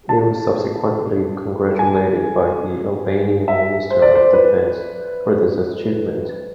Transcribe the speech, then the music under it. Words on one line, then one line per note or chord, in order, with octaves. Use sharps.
He was subsequently congratulated by the Albanian Minister of Defence for this achievement.
A5
G#5
E5
C5
D5
C5
B4